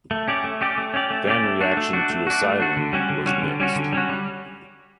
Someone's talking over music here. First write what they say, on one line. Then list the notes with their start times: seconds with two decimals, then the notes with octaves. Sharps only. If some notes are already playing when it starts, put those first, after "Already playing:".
Fan reaction to "Asylum" was mixed.
0.11 A3
0.28 C#4 G4 D5
0.44 A3
0.61 C#4 G4 D5
0.78 A3
0.94 C#4 G4 D5
1.10 A3
1.27 C#4 G4 D5
1.44 A3
1.61 D4 F#4
1.77 A3
1.93 D4 F#4
2.10 A3
2.27 D4 F#4
2.43 A3
2.60 D4 F#4
2.77 D3
2.93 G3 C#4 F#4
3.10 D3
3.26 G3 C#4 F#4
3.43 D3
3.60 G3 C#4 F#4
3.76 D3
3.92 G3 C#4 F#4
4.09 G3